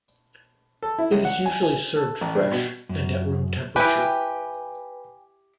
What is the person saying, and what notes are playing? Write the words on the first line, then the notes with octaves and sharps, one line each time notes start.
It is usually served fresh and at room temperature.
A4
E4
C#2
F#5
G#5
G#5
A4
A1
G2
B2
F#2
E4 G4 B4 G5 G#5